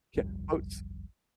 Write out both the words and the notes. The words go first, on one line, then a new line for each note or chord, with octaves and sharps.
Yeah, boats
G1 C2 F2 G3